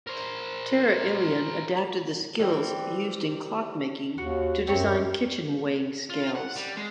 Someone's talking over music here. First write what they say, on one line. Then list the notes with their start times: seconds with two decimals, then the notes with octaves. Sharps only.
Terraillon adapted the skills used in clock-making to design kitchen weighing scales.
0.07 A#4 C5
2.39 E3 G3 C4
4.18 D#2 F#4
4.67 F#2 C4 C#5 A#5
6.10 F4
6.36 F#5
6.56 G3
6.77 G#3